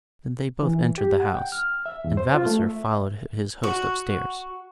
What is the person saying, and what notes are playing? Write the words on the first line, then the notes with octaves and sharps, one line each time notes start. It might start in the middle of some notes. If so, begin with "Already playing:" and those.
Then they both entered the house, and Vavasor followed his host up-stairs.
E3
G4
F#5
G5
F6
E5
E2
C5
F4
A3
E5
F#4